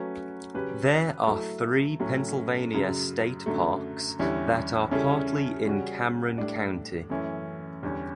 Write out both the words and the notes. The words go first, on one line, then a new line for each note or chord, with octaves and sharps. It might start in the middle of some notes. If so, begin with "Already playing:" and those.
There are three Pennsylvania state parks that are partly in Cameron County.
Already playing: F#3 A3 C#4 F#4 B4
C#3 F#3 C#4 G4 B4
F#3 A3 E4 A4
A2 F#3 A3 C#4
F#2 C#3 F#3
F#2 D3 F#3 A3
E2 D3 G3 C#4 E4
C#3 G3 C#4 E4 A4
C#3 G3 C#4 F#4
A2 G3 D4
F#2 E3 A3 C#4 E4
E2 D3 G3 C#4